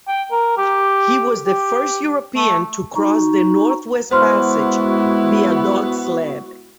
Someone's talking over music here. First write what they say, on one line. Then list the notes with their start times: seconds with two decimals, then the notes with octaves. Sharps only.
He was the first European to cross the Northwest Passage via dog sled.
0.08 G5
0.31 A#4
0.58 G4
1.45 G4
2.36 A3
2.96 D#4 F#4
4.11 G#3 B3 E4 F#4 C5 C6 F6